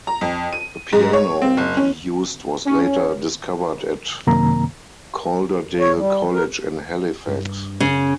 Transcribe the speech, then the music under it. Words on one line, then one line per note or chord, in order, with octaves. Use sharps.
A piano he used was later discovered at Calderdale College in Halifax.
A#5
F2
D#7
G#2
C#5
C4
F#1
C#4
C#4
F#2 C3 D#3 A#3 A#5
C#5
G3
A#4
G2
F#2 C#3